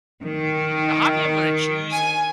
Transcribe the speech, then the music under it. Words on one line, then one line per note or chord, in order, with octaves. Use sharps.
the hobby I'm gonna choose
D#3
G#5